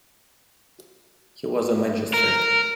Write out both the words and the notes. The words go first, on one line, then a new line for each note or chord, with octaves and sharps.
He was a magistrate.
A#4